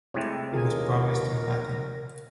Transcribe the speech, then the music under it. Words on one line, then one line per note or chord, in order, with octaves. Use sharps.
It was published in Latin.
C3 G#3 A3 E4 G4 C#5
D#2 F4 G#4 A#4 G#5